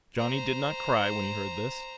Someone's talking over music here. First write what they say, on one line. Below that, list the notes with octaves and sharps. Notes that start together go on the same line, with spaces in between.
Johnny did not cry when he heard this.
C5 A#5